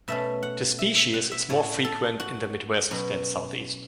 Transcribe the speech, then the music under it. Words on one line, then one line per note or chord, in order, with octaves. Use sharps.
The species is more frequent in the midwest than southeast.
B2 A3 C#4 E5
F#5
E5
E5
F#5
E5
A2 A3 C#4 C#5
A4
F#4
B2 F#3 C#4